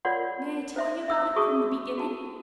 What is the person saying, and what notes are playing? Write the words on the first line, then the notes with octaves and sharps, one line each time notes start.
'May I tell you about it from the beginning?'
F4 A#4 C#5 D5 F#5 C6
C5 E5 C6
E5 E6
F#4 G#4 A5 C#6 D#6
F#4 A5